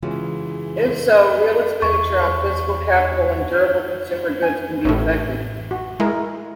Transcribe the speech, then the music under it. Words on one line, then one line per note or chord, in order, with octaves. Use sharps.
If so, real expenditure on physical capital and durable consumer goods can be affected.
C#3 E3 G#3 B3 F4 F#4
E2 C#6
G#5
A1 A2 C#5
F#4
G#3 E4 A#4